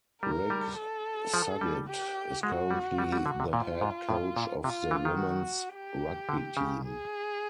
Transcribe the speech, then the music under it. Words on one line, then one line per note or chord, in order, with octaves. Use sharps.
Rick Suggitt is currently the head coach of the women's rugby team.
G3 A#4
G3
A4
F3
G3
G4
G#3 F#4
G3
G3
G3
D3
C3
A#2 F4
G#2
A2
A#2
C3 F4
E3
D#3
F#4
G4
D3
C#3
G#4